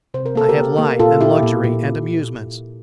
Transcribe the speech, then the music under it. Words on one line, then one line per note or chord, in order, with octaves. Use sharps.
I had light and luxury and amusements.
C3 C5
A#4
A#3 A4
G4 A#4
A#3
A#3
A#2 F4 A4
A#2 E4 G4
A#2
A#2